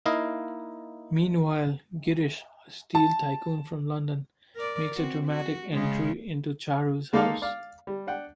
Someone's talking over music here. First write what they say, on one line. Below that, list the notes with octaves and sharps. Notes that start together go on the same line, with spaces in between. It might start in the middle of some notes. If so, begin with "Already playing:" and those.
Meanwhile, Girish, a steel tycoon from London, makes a dramatic entry into Charu's house.
A#3 D#4 E4 D#5 F5
A5
A#4 D5
C4 F#4
F#4
C#3 G#3
G#3 A#3 D#4 A4 D5 F5
D5 F5
G3
D4 F#5 G5